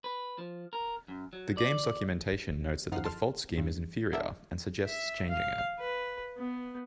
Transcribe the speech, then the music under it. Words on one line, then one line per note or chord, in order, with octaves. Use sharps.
The game's documentation notes that the default scheme is inferior, and suggests changing it.
B4
F3
A#4
F#2
F#3
D5
F#2 F3 D#4 F#5 F6 C7
A5 C6 F6
G2
B3 D4 A4 A#4 D5 E5
E5
F5
B4
B3